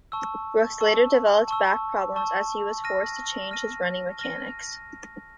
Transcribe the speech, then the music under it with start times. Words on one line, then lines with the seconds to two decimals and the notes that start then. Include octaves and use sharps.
Brooks later developed back problems as he was forced to change his running mechanics.
0.12 A5 C#6 E6
0.80 A5 C#6 E6
1.48 A5 C#6 E6
2.16 A5 C#6 E6
2.84 F6 A#6 D#7
3.51 F6 A#6 D#7
4.19 F6 A#6 D#7